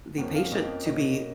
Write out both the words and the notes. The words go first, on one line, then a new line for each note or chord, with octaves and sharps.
the patient to be
F2 F3 A#3 C#4 F#5
F5
F2 F3 A#3 C#4 D#5
B2 A#3 C#4 D#5